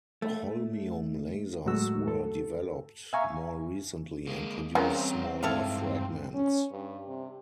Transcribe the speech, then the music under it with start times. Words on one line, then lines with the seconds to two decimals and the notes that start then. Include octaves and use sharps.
Holmium lasers were developed more recently and produce smaller fragments.
0.22 A3
1.66 A2 F#3 G#3 A3 F#4 E6
2.08 A4
3.13 E5 F5 G#5 A#5 C#6
4.27 G#3 A#3
4.75 C#3 G3 B3 C4 A#4 C#5
5.43 G2 G#3 E4 A4 F5
6.34 C#4
6.71 G2
7.08 C3